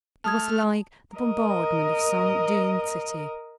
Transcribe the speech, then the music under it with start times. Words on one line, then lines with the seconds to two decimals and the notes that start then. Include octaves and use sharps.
It was like the bombardment of some doomed city.
0.24 A3 A5 D#6 F6 G#6
1.15 A#4 D#5